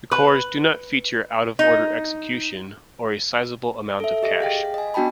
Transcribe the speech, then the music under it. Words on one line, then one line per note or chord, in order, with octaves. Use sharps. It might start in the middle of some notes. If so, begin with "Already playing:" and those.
The cores do not feature out-of-order execution, or a sizable amount of cache.
B4
D#4
A4 E5
G4 D#5 A#6
G#4 F5 G5
D#5 G#5
B3 D4 F#4 G5 A5 B5